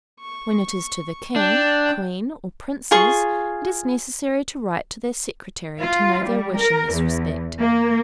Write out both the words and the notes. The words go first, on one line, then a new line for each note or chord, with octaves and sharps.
When it is to the king, queen, or princes, it is necessary to write to their secretary, to know their wish in this respect.
C#6
D4 G5 A5
F4 G#4 C#6
F4
G3
A#4
E2
A#3